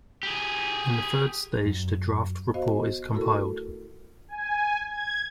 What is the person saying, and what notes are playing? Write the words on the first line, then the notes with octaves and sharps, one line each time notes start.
In the third stage the draft report is compiled.
G4 G#4
F#2
B3 F#4 C5 D#5 F5
A3 E4 F#4 A4 A#4
G#5
G#6